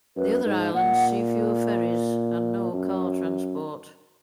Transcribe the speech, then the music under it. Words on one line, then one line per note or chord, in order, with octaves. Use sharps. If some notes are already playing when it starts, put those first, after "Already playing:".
The other islands see fewer ferries and no car transport.
F#2 B4
G#2
A#2 F#5
F#2